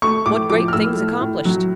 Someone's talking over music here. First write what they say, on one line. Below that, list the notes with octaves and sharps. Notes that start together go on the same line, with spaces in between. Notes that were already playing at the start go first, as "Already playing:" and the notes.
What great things accomplished!
A3 C#6
A2 D6
F3 D6
F6
A2 E6
A3
A2
F#3